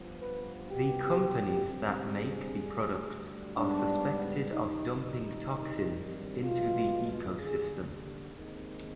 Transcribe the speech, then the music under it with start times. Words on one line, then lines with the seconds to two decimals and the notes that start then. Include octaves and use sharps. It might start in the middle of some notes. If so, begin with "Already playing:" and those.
The companies that make the products are suspected of dumping toxins into the ecosystem.
Already playing: G2 F3 B3
0.22 B4
0.70 C2 B2 B3 G4
1.66 G2 D3 G3 C4
2.13 G#4
2.61 D2 D3 G3
3.57 G#2 G3 B3 D4
4.52 F2 D#3 G3 D#4
5.00 D#4
5.47 G2 D#3 G3 C4
6.43 B1 B2 G#3 F4
7.39 D#2 D3 G3 G#4
8.34 D#2 D#3 G#3 C4